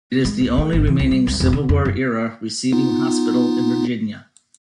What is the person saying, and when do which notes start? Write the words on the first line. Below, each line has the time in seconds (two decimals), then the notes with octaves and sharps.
It is the only remaining Civil War era receiving hospital in Virginia.
0.25 G#3
0.41 C#2
0.58 A3
0.73 G#1
0.87 E3
1.00 C2
1.11 G3
1.27 C2
1.40 E1
1.53 D3
1.69 F2
1.85 F#1
2.72 B3 D#4 F4